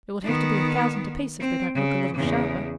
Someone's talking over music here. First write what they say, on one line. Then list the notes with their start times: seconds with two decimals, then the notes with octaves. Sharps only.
It will have to be a thousand a piece if they don't look a little sharper.'
0.24 D#3 B3
1.40 C4
1.75 C#3
2.15 E2 C#3